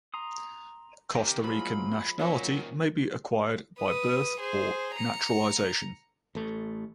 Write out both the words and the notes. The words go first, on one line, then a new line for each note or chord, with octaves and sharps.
Costa Rican nationality may be acquired by birth or naturalization.
A#5 C6 D#6
C3 D#3 G4 A#4
F3 F#3 G#3 A#3 F4 B5
A#2 F#3 C#4 D#4 E4
C3 D#3
B4 D#6
G#4 C5
A#5 C#7
A1 A3